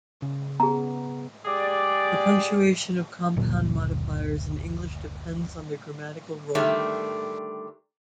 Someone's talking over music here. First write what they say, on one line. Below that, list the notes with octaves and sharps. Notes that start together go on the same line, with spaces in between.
The punctuation of compound modifiers in English depends on their grammatical role.
C#3
B3 G#4 A#5
G#3 G4 G#4 D5
F#1 D2 A#2 F#3
D3 D#3 G3 A3